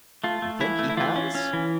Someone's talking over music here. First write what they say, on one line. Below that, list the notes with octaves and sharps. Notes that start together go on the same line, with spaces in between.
"You think he has?"
A3 F4
A3
E3 E4
A3
E4
E3 F4
C#4
C#4
E3